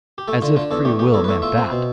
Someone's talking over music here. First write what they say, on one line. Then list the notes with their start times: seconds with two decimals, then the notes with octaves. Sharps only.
As if free will meant that!
0.18 G4
0.28 A3 A4
0.42 D3 F4
0.56 D3 F4
0.71 E2 A4
0.85 A3 G4
0.99 A3 G4
1.14 E2 A4
1.24 B4
1.28 A3 A4
1.42 F4 E5
1.57 C4
1.71 B2